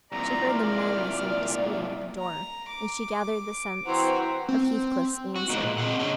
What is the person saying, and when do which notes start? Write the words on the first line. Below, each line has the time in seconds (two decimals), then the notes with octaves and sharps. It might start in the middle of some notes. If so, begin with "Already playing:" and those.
She heard the men I sent disputing at the door, and she gathered the sense of Heathcliff's answer.
0.12 C2 A#2 D5 A#5
0.50 F6
2.19 A#5
2.68 D6
3.86 E3 C4 F#4 C5 A#5
4.48 C4
5.36 F#4
5.50 G#3 A#3 B3 D#4
5.63 A#2
5.78 C4 G#4 D#5 F#5
5.99 C#3 D4 C#5 D#5